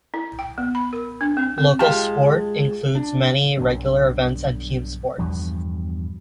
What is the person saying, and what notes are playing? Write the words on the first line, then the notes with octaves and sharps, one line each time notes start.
Local sport includes many regular events and team sports.
E4
G5
B3
B5
A#4
D4
C4
C4
G#3 F4 G4 A5
D4
B1 G2 D3
E2 G2 B2 F3